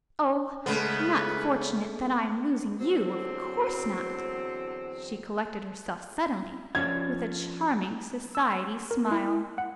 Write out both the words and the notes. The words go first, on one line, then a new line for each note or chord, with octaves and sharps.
"Oh, not fortunate that I am losing you, of course not," she corrected herself suddenly, with a charming society smile.
C#3 G#3 A3 B3 B4
E2 D3 F#3 C4
F3 C#4 D4 G#6
E6
A#4
E4
F#5